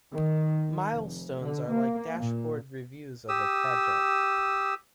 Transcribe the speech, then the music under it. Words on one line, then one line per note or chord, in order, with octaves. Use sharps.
Milestones are like dashboard reviews of a project.
D#3
F1
D3
A#3
A#2
G4 D#6 E6